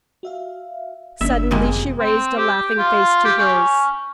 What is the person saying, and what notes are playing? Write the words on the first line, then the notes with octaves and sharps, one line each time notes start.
Suddenly she raised a laughing face to his.
F#4 E5 F5
G1 A#3 C#4 D4 E5
F#2 C3 G#3 A#3 B3 F4
C4
G4
F4
G4
C#4